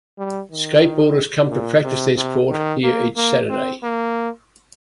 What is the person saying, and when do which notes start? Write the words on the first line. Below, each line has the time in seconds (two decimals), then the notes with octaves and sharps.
Skateboarders come to practice their sport here each Saturday.
0.18 G3
0.51 D#3
1.50 A#2
1.84 C3
2.17 C3
2.50 D#3
2.83 A#3
3.16 A#3
3.49 C4
3.83 A#3